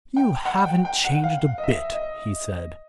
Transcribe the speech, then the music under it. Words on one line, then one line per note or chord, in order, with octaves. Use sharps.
"You haven't changed a bit," he said.
G5
F#5
G5
G5
F#5
F5
D#5
E5
D#5